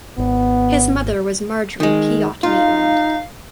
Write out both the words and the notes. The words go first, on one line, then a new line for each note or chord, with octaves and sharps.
His mother was Marjory Pyott Maitland.
G#1 B3
D#3 G#3
D#4 F4 F5